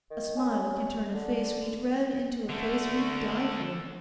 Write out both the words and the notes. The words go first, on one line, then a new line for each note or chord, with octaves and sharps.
A smile can turn a face we dread into a face we'd die for.
D#3
C#4
D3
D3 A3